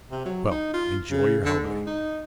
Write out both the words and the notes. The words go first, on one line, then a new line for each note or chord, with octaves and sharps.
Well! enjoy your holiday.
C3
F#3
D#4
F4
C#3
D3
G#2
D#4